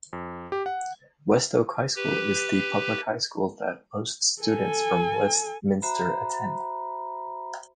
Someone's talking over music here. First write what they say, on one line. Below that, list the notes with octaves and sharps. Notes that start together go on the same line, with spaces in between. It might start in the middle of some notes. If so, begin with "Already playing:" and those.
West-Oak High School is the public high school that most students from Westminster attend.
F2
G4
F#5
G4 B4
A4 G#5
F#4 C5 E5 A#5 B5